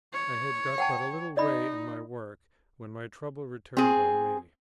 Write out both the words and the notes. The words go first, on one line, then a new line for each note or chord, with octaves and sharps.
I had got but a little way in my work, when my trouble returned on me.
C#5
F#5 G5 A5
D#4 D5 D#5 B5
C4 G#4